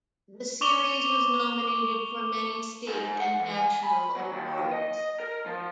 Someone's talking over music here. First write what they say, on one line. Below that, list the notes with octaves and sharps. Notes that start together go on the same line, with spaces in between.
The series was nominated for many state and national awards.
C#6 D6 F7 G7
G#2
F#5
E3
G#5
B5
F#3
D#2
D#5
A#4
F3